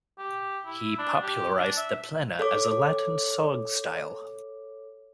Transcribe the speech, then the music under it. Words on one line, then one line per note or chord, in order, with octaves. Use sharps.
He popularised the plena as a Latin song style.
G4
E4
D4
G4
D4
E5
A4 C#5 D6